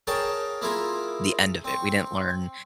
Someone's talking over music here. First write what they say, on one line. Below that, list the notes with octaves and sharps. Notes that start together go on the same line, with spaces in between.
the end of it. We didn't learn,
G#4 A#4 C#5 F5 G5 A5
A#3 E4 F4 G#4 A#4
C4 C#6